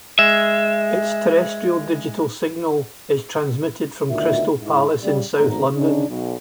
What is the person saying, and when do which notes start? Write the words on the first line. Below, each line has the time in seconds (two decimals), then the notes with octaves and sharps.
Its terrestrial digital signal is transmitted from Crystal Palace in South London.
0.19 G#3 E5
4.09 D2 B2 D#3 F4 D5 E5
4.59 G#2 E4
5.02 C#3 G3
5.37 G#1 B2 A3 D#4 A#5
5.74 C#3 D4 D#4
6.09 B1